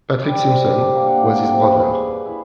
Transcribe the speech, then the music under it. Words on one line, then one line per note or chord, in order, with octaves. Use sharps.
Patrick Simson was his brother.
G3
C4
G4
D4
A#3
F#5
G5
C3
B4
G#4
E4